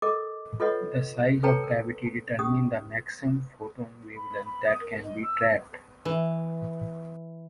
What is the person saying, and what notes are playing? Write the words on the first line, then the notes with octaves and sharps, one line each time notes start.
The size of the cavity determines the maximum photon wavelength that can be trapped.
A4 A#4 D#5 D6
F4 A4 B4 C#5 D#5 F#5
A4 B4 C#5 G5 A5 A#5
A#4
C#4 G4 D#6
B5
B5
D#6
A#4
D#5
E6
E3